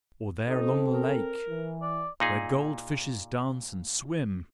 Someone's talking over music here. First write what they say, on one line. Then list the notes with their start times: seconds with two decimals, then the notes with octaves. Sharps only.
Or there along the lake, where gold-fishes dance and swim!
0.48 C4 D#4 A4
0.93 A#4
1.49 E3
1.81 D5
2.20 A#2 D#4 G#4